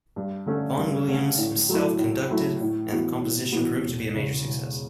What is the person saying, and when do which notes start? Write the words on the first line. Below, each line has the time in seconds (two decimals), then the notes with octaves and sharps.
Vaughan Williams himself conducted, and the composition proved to be a major success.
0.16 G2
0.46 D3 A3 C#4
0.77 G2
1.08 D3 A3 C#4
1.38 A2
1.69 F#3 A3 E4
1.99 A2
2.30 F#3 A3 E4
2.61 A2
2.91 E3 B3 F#4
3.22 A2
3.52 E3 B3 F#4
3.83 E1
4.13 E2 C#3 E3
4.43 E1